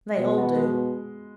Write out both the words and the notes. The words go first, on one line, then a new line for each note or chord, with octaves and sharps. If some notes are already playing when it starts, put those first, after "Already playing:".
They all do.
B2 G#3
B3 F#4
G#3